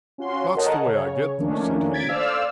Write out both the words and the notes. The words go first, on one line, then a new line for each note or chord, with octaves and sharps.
"That's the way I get them," said he.
C#4 F4 F#4 C6
A4 A#4 C#5 D#5 F#5 A5
C#3 C#5
D#3 F3 A3 A#3 C#4 D4
G#6 A6 B6 D7
A4 C5 D5 F5 E6 F6